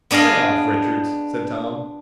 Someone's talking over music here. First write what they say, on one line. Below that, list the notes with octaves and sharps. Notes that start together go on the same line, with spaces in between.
"Lay off, Richards," said Tom.
B3 D4 G#4 D#5 F5